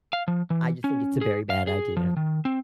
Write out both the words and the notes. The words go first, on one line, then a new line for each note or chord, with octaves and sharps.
I just think it's a very bad idea.
F5
F3
E3
C#4
G#4
F5
G#4
F3
D#3
C4